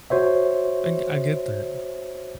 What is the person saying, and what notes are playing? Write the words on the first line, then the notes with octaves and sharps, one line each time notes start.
I I get that.
F#4 C5 C#5 E5